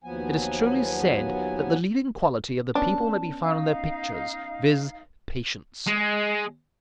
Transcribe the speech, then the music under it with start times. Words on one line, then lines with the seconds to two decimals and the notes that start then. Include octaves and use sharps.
It is truly said that the leading quality of the people may be found in their pictures; viz., patience.
0.04 D#2 F3 F#3 B3 G#5
2.75 B3 C#4 D4 A5
3.40 D#4 F5
5.87 G#3